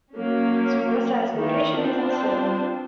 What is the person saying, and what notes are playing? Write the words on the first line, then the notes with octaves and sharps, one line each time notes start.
Its precise location is uncertain.
F#3 A#3 C#4
D#3 E3 A#3
B3 C4 D4 F4 C5